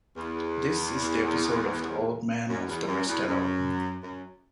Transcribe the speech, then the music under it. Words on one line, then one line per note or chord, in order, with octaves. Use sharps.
This is the episode of the Old Man of the Restelo.
E2
F#2
E2
F#2
E2
F#2
F#2